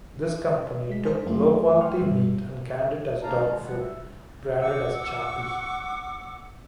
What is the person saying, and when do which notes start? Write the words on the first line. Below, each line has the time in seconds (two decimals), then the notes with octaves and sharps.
This company took low-quality meat and canned it as dog food, branded as "Chappie".
0.44 D#5 E5
0.89 G#3 B6
1.04 D4 A4 C5 G#5
1.25 F#2 F#3 A3 A#3 F4 C6
1.80 F#5 G5 C6 C#6 F6
2.00 G#1 G2 B2 G3 E5
3.23 F#2 A#3 D#4 F5 A5 A#5
3.48 D#3 G#3
3.65 F3 G3 F#5
3.78 E5
4.61 F#5 C#6 D6 E6